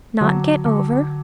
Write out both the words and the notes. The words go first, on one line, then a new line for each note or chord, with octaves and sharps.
Not get over?
D3 F#3
D3